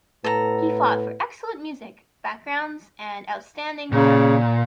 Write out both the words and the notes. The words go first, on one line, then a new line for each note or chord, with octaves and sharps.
He fought for excellent music backgrounds and outstanding photography.
A2 B3 A4 A#5
A#2 C#3